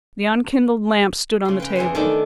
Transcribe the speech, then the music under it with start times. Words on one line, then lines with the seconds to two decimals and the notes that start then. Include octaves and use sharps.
The unkindled lamp stood on the table.
1.45 C#3 C6
1.60 B4 G5
1.76 E2 G#4 G5 C6
1.95 D#3 A3 D4 A4 B5